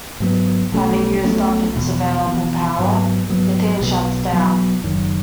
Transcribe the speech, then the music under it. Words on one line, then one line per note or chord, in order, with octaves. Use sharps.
Having used up its available power, The Thing shuts down.
G#2 F#3 B3
B1 B2 A3 C#4
B1 B2 A3 C#4
E1 E2 B2
E1 E2 B2
G#2 F#3 B3
G#2 F#3 B3
B1 B2 F#3 B3
B1 B2 F#3 B3
F#1 F#2 D#3